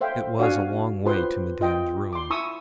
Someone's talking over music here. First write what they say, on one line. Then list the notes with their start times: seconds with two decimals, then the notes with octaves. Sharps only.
It was a long way to Madame's room.
0.01 A4 C5 E5 F5 G5
0.39 D4 F#4 D5 F5 G#5
1.06 F4 G4 B4 C5 C6
1.61 F4 D#5 G5
2.13 C6 D6
2.30 E4 G#5 B5 C#6 D#6 E6